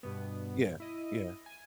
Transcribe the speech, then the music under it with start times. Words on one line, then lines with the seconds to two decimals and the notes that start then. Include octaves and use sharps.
Yeah. Yeah.
0.03 G2 B2 B3
0.80 E4 D#5
1.46 G#5